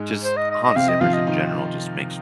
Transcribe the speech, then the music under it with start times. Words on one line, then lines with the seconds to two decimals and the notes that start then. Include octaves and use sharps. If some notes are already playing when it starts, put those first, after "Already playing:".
just Hans Zimmer's in general just makes
Already playing: G#2 G#3
0.23 C5
0.37 D#5
0.50 D#5
0.63 D#5
0.76 C3 C4 F5
0.89 D#5
1.01 F3 F4 F5
1.14 D#5
1.27 D#3 D#4